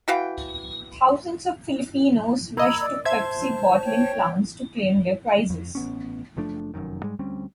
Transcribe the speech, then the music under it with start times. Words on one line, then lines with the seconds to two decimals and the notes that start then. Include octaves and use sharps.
Thousands of Filipinos rushed to Pepsi bottling plants to claim their prizes.
0.08 E3 F#4 F5 G5
2.57 A#3 D#5 A#5 B5 E6 G#6
2.81 D5 E6
3.05 C5 E5 A5 C6 G#6
3.84 C#5 G5
5.50 F2
5.75 A1 B3 C#4
6.37 F#1 F3 A3 D4
6.74 F1 C2 F#2 D#3
7.03 G#2 G3 G#3
7.19 D2 G3 C4 C#4